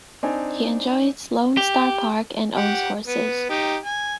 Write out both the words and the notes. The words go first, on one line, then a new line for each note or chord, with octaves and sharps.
He enjoys Lone Star Park and owns horses.
C4 D4 D#4 G#5
G4
G4 F#5
B3 B4
D#4 G4
G#5